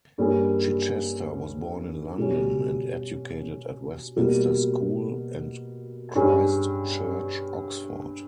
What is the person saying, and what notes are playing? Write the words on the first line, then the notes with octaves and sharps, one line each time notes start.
Chichester was born in London and educated at Westminster School and Christ Church, Oxford.
G2 G3 A#3 C#4 G#4
B2 G3 C#4
B2 G3 A#3
G2 G3 C#4 G#4